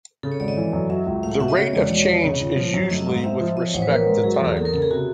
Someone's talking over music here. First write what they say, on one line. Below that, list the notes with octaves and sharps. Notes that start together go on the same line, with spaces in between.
The rate of change is usually with respect to time.
C#3 A4
C#5
G#1 D5
D#5
E3
F#2
F#3 E5
C#2
A3 F5
F#5
B2 E5
D#5
C#3 C#5
E1 D5
E1 C#5
E2
C#3
G1
F3
F#2
A3 D#5
G#2
F5
C4 E5
F3
F3 D#5
C#5
A1 C5
B4
A#3 A#4
G#2
F#3 G#4
A4
E2 G#4
A#3 A4
A#4
C#3 A4
G#4
C3 F#4